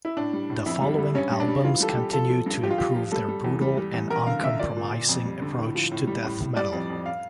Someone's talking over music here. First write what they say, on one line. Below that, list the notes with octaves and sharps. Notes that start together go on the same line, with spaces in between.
The following albums continued to improve their brutal and uncompromising approach to death metal.
E4
A2 D4
G3
A2
F2 E4
G3
G3
G2 C#4
G3
D4
G3
E3 F4
G3 A4
G4
G3
F3 A4
F3
G2
F3 G4
F4
F3 G4
F3
G3 A4
G3
E2
G3
G3
E2
E2 A#4
D3 F5
D3 E5
A#2 D5
A#2
A#2
F2
G3
D3
A2
F3
A2
G3
A2
A2
G3 D5
F2
F2
F5